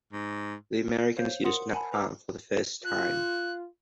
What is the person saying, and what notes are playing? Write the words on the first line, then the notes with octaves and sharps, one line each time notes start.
The Americans used napalm for the first time.
G#2
C5 C#5 F5 G6
A#4 F#5 C6 D#6 C#7 F#7
F#5 G#5 A5 B5
B4 A#5 D6 E6 F6
F4 F#6